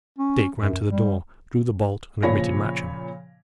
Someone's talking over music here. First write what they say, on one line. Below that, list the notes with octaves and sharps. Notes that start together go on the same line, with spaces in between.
Dick ran to the door, drew the bolt, and admitted Matcham.
C#4
F#2
G3
A#2 C#3 F3 C#5 B5 A#6